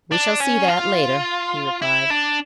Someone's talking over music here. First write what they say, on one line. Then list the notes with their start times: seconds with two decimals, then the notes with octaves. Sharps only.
"We shall see that, later," he replied.
0.12 D4
0.40 C#4
0.68 F4
1.82 E4
2.11 D4